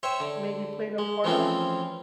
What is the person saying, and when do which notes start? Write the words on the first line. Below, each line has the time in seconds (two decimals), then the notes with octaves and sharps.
maybe played a part on it.
0.03 C5 C#5 E5 G5
0.20 D3
0.98 G#3
1.24 E3 F3 A3 C4 C#4 F4